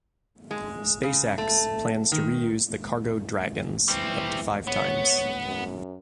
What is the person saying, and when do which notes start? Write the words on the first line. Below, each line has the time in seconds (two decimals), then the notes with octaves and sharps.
SpaceX plans to reuse the Cargo Dragons up to five times.
0.51 G#3
1.03 C#3
1.38 A3
2.12 D#3
3.88 E3 G3 C4
4.67 B3 C#5
5.46 F#2